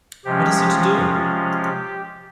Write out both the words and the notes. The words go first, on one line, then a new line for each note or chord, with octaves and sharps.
What is he to do?
C3 F3 G#3 C#4 G4
F4
F4
G4